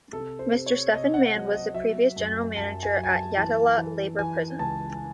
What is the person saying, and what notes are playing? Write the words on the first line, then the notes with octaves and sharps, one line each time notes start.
Mr. Stephen Mann was the previous General Manager of Yatala Labour Prison.
C3 A4
C5
C3
C#5
C3 D#5
F#5
F#3 F#5
D#5
F#3 E5
F#2
F#2 A5
G#5
F#3
G#5
A5
E3 A5
E3
E3 G#5
C#2 A5